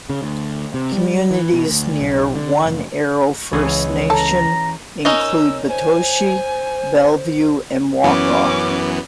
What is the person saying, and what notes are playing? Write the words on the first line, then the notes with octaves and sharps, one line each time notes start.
Communities near One Arrow First Nation include Batoche, Bellevue, and Wakaw.
C#3
D2
C3
G3
E3
B2
D2
B1
D3
F1
C#2 E3 C#4 G#4
A4 A#5
C#4 D#4 A#4 E6
C5 G#5
F#2 E3 B3 C#4 D6